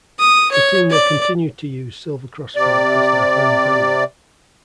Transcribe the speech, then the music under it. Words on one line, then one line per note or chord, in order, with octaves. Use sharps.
The team will continue to use Silver Cross Field as their home venue.
D#6
C#5
D5
C3 D5